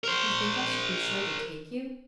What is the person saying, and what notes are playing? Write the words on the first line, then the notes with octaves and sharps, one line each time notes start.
"You think I should be sure to take you."
A#4 C5